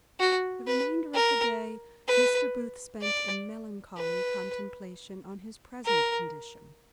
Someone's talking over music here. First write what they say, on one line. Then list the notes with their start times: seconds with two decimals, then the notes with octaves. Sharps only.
The remainder of the day Mr. Booth spent in melancholy contemplation on his present condition.
0.20 F#4
0.67 B4
1.14 A#4
2.08 B4
3.02 D5
3.97 B4
5.85 A#4